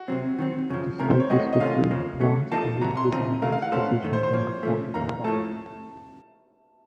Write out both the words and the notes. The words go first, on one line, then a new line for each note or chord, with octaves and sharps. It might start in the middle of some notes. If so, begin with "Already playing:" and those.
Despite this victory, "Ras" Ali was in a worse position than before the battle.
Already playing: F#4
C3 F#3 C4
D#3 F#3 C4
F#2 C#3 F3
C#2 C3 D#3 A3 A#4
C5
C#5
A2 F#3 A3 C4 F#4 D#5
D#5
C3 D#3 A3 C#4 F4 F5
F2 C#3 F3 A#3
C#3 F#3 A3
F3 A#3 D#4 A4 A5
C2 C3 F#3 A#5
C6
D#2 C#3 F3 C4 D#4 A#5
D#2 C#3 A3 D#4 A#4 F5
F5
F#5
A2 A3 C#4 A4 C5 F5
F#2 D#3 A3
C5
C5
A2 F3 A#3 C#5
C#3 F3 A3
F2 D#3 A#3 A#5
A2 F3 A3 A5